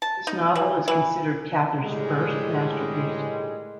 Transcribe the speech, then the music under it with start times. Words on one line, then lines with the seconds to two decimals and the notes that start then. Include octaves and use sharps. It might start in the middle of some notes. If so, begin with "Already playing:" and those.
This novel is considered Cather's first masterpiece.
0.02 A5
0.27 D#4
0.56 E3
0.88 E3
1.84 A2 D#3 G3 G#3